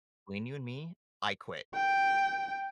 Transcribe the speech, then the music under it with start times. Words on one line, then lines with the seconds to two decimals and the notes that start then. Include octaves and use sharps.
between you and me, I quit.
1.75 G5